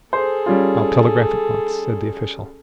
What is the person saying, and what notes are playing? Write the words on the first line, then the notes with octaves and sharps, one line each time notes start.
"I'll telegraph at once," said the official.
G#4 A4 C5
G3 C#4 F4